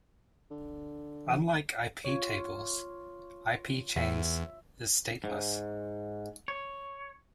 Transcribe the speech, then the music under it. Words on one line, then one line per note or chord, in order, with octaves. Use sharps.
Unlike iptables, ipchains is stateless.
D3
E3
F4 C#5
E2 E5
G#2
C#5